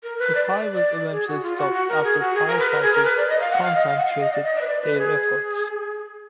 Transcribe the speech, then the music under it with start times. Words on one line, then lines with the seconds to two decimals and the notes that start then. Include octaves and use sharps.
The fire was eventually stopped after firefighters concentrated their efforts.
0.03 A#4
0.19 B4
0.35 D5
0.49 D5
0.73 D5
1.11 G#4
1.27 F#4
1.42 F4
1.58 F#4
1.73 F#4
1.88 A#4
2.04 G#4
2.19 F#4
2.35 G#4
2.47 A#4
2.59 B4
2.71 A#4
2.82 G#4
2.93 A#4
3.04 B4
3.17 D5
3.29 D#5
3.40 F5
3.52 F#5
3.63 F5
3.75 D#5
3.86 F5
3.97 F#5
4.10 F5
4.21 D#5
4.33 D5
4.44 D#5
4.55 D5
4.61 B4
4.67 D5
4.82 B4
4.98 G#4